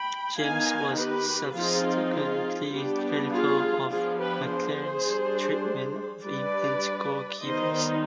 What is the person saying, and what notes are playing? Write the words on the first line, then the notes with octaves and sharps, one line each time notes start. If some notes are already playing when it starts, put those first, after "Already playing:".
James was subsequently critical of McClaren's treatment of England's goalkeepers.
Already playing: G5 B5
D#3 B3 D#4 F5 G#5
G4 B4
F3 C4 D#4 F4 G#4
F4 G#4
G3 B3 D4 G4
F4 G#4
F3 B3 D4 F4 G#4
G4 B4
G#4 C5
G3 D4
G3 D4 B4 D5
D#3 G3 B3 D#4 C5 D#5